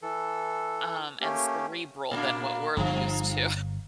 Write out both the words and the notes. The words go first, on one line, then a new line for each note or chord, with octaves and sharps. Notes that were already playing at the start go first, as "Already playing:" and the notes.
Um, and cerebral than what we're used to
E3 A4
A3 A#3 C#4 G4
A#2 A#3 D4
G1 G2 F3